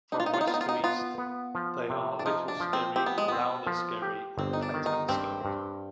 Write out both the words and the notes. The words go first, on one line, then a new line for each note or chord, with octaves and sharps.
From west to east, they are Little Skerry, Louther Skerry and Clettack Skerry.
D4 D#4
F4
D#4
F4
D#4
B3 F4
D#4
F4
D#4
B3 F4
B3
F3
C3
D4
F3 D#4
D4
F3
C4
C4 G4
B3
G#3
B3 C4
F3
G4
G1 C4
D#4
D4
D#3
D#4
G2 C4
G2